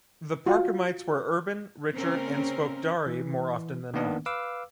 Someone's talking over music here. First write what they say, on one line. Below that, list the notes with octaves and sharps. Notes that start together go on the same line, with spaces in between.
The Parchamites were urban, richer, and spoke Dari more often than not.
F4 F#4
C#3 A#3 C4 C#4 A#4
E3
D#3 A#3 B3 D4
B4 F5 D6 E6